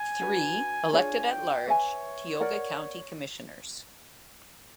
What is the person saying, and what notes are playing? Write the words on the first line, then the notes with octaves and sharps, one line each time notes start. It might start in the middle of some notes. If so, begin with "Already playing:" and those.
Three, elected at large, Tioga County Commissioners.
Already playing: G#5
D4 F#4 B4
D4 F4 G#4 C#5 G#5
G5
B4 C#5 E5 G#5
A#4 D5 F#5